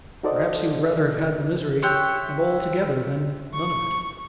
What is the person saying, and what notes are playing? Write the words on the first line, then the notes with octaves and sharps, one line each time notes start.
"Perhaps he would rather have had the misery and all together than none of it."
D#4 F#4 A4 C5 D5 D#5
G4 C#5 E5 G5 C6 F#6
C#6